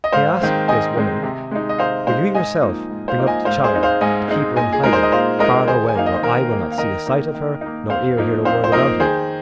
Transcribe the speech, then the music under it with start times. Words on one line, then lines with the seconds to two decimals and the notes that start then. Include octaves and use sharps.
He asked this woman, "Will you yourself bring up the child to keep her in hiding far away where eye will not see a sight of her nor ear hear a word about her?"
0.04 D#5
0.12 G#2 C5 F5
0.41 D#3 G#3 C4
0.68 G#2 D#5 G#5
0.96 D#3 G#3 C4
1.23 C3
1.51 G#3 D#4
1.69 D#5
1.78 C3 C5 F5
2.07 G#3 D#4 C5 F5
2.34 G#2 D#5 G#5
2.62 F3 A#3 D#4
2.89 G#2
3.08 C5 F5
3.18 F3 A#3 D#4
3.27 D#5 G#5
3.45 G#2 C5 F5
3.64 G#4 C5
3.74 G#3 C4 D#4
3.83 C5 F5
4.01 G#2 D#5 G#5
4.28 G#3 C4 D#4
4.56 A#2 D#5 G#5
4.73 G#4
4.83 G#3 D#4 A#4
4.93 C5
5.03 D#5
5.12 A#2 C5 F5
5.39 G#3 D#4 A#4 D#5
5.67 D#3 G#4 C5
5.89 G#5
5.95 A#3 D#4 F5
6.06 D#5
6.14 C5
6.22 D#3 A#4
6.51 A#3 D#4
6.71 F5
6.78 D#3 A#4 D#5
7.06 A#3 D#4
7.35 D#3
7.61 A#3 D#4
7.89 F2 C5 F5
8.17 F3 A#3 D#4
8.45 F2 C5 F5
8.64 C5
8.72 F3 A#3 D#4 A#4 D#5
9.00 D#3 G#4 C5